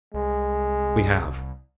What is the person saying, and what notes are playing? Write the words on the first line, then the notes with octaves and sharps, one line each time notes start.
"We have."
C2 G#3